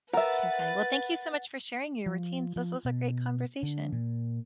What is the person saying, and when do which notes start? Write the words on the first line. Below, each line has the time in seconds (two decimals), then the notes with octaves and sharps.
Too funny. Well, thank you so much for sharing your routines, this was a great conversation.
0.13 A#4 B4 E5 F#5 A6
2.06 F3
2.56 F3
2.85 B2
3.63 D3
3.92 A#2